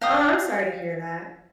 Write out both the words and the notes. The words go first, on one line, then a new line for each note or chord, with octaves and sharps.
Oh, I'm sorry to hear that.
F5 G5 D#6